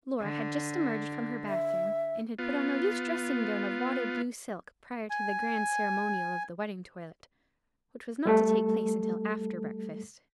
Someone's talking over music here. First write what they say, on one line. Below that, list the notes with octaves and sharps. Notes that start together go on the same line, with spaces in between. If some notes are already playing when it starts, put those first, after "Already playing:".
Laura had just emerged from her bath room, and had put on a loose dressing-gown of wadded blue silk, prior to the grand ceremonial of the wedding toilet, which was not to take place until after breakfast.
D3
E5
B3 F4
G#5
G3 A3 A4